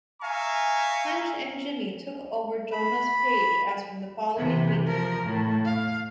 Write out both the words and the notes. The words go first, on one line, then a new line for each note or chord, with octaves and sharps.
Punch and Jimmy took over Jonah's page as from the following week.
E5 F5 G#5 A#5 C#6
B5
C3 E3
F3 A#4
A2
F5